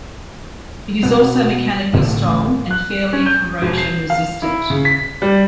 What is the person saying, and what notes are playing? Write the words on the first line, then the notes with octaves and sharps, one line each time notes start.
It is also mechanically strong and fairly corrosion resistant.
B2 B3
A1 A2 D3 A3
F#6
C#4
G6
E1
C7
F5
E4
C#3
B6
G3